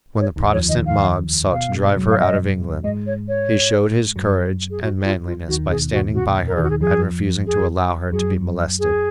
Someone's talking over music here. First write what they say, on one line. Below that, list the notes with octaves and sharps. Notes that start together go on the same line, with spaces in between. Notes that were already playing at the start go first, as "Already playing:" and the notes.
When the Protestant mobs sought to drive her out of England he showed his courage and manliness by standing by her and refusing to allow her to be molested.
C#5
D#2 D#3
F2 F3 C#5
D#2 D#3 D#5
F5
B2 F5
G#2 G#3
F#2 F#3
F5
D#5
G#2 G#3 D#5
C#5
C#5
F#2 F#3
G#4
F#4
F4
F4
D#2 D#3 F#4
B2 G#4
A#2 F#4
B2 F#4
A#4
G#4
D#2 D#3 F#4
G#4
F2 F3 G#4
G#4
F#2 F#3 G#4
G#4